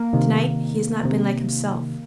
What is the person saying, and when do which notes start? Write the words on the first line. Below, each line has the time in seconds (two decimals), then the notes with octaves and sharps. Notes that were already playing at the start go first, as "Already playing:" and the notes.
'To-night he has not been like himself.
Already playing: A#3
0.13 C3 D#3
1.03 C3 D#3